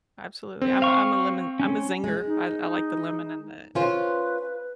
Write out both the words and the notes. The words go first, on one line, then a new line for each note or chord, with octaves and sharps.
absolutely, I'm I'm a lemon I'm a zinger, I I like the lemon and the
C4
F5 C#6
C#4
G#3
D#4
C#4 F4 B4 C5